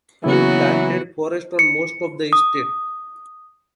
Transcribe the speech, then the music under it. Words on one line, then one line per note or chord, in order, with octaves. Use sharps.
He planted forest on most of the estate.
C#3 E3 F#3 A#3 B3 E4 F#4
C#7
D#6